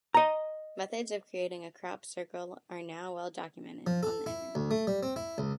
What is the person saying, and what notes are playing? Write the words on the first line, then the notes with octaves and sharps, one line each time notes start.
Methods of creating a crop circle are now well documented on the Internet.
D#5 A#5
F3
A4
E4
D2
A3
G3
C4
E4
C#2